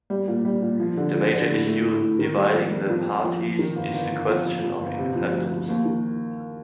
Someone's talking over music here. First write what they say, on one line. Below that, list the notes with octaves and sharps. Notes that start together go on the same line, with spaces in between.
The major issue dividing the parties is the question of independence.
G3
A#2
G3
A#2
F3
D3
F2
D3
A2
A3
A2
A2
D#3
G3
F2
G3
F2
F2
F3
F3
D#3
G1
G1
G1
F2
F2
F2
G1
C3
F3
D2
F3
D#2
D#3